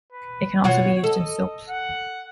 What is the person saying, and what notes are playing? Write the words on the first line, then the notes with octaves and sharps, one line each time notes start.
It can also be used in soaps.
B4
B2 F4 F#4 C#5
A4 D#5
F#5